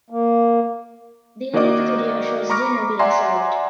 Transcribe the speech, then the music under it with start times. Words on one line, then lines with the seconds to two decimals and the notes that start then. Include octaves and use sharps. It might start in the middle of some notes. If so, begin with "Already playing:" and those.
The end of the video shows dinner being served.
0.10 A#3
1.53 D#3 A#3 F#4 D5 D#5 D6
2.50 A#5 B5 C#6 D6 F6 A#6
2.99 D5 E5 F#5 G#5 A#5 C6